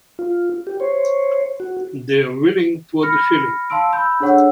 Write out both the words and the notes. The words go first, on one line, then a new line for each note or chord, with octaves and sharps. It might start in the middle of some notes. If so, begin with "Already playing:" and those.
They're willing – for the shilling.
F4
G4
C5 C#5
F#4
B5 F6 A#6 C#7
F5 A5 C6 E6 D7
B5 E6 G6
D4 G#4 A4 C#5 F#5 E6